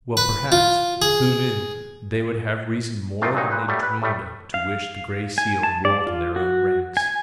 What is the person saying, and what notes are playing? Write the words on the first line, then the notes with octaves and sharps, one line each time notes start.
Well, perhaps, who knew, they would have reason more than they dreamed of to wish the Gray Seal enrolled in their own ranks!
B4
F4
G#4
C3 E3 A3 C4 D#4 F4
G2 A#2 F#3 D#4
A#2 B4 G5
F#3 G3 A3
B4
A2 G3 A3
F5
G#5
A5
D5
F4
F#4
G#5